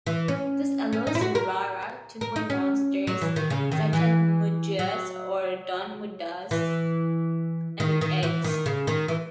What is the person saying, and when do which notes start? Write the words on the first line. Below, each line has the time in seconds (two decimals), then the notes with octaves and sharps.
This allows "Rara" to put monsters such as Medusas or Don Medusas in eggs.
0.07 E3
0.28 C#4
0.93 C#4
1.07 D#4
1.15 E4
1.21 F#4
1.35 A#4
2.21 A#4
2.36 D#4
2.50 C#4
3.07 F#3
3.22 E3
3.36 D#3
3.50 C#3
3.72 D#3
3.93 E3
4.79 F#3
6.51 E3
7.80 D#3
8.01 D#3
8.23 E3
8.44 D#3
8.66 C#3
8.87 D#3
9.08 E3